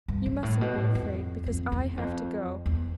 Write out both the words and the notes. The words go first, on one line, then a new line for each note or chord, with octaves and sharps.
You mustn't be afraid, because I have to go.
G2
G2
A2
B2
A2
F2
F2
E2
F2
E2